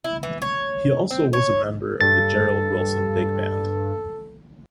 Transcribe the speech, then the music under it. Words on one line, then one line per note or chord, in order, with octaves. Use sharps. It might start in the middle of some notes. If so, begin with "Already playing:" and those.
He also was a member of the Gerald Wilson big band.
E4
E3
C#5
C4
C#5
G2 A4 A6